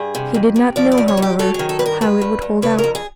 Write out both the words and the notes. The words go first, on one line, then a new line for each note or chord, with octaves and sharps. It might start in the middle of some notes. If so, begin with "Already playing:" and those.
He did not know, however, how it would hold out.
Already playing: G2 G#4
C3
F2
C3
F3 D5
D5
F2
C#5
F2
G4
F#3 A4
D#3 G#4
A4
G2 B4
A#4
G2 B4
G2
G2
C#3 B4
A#4
F2
G#4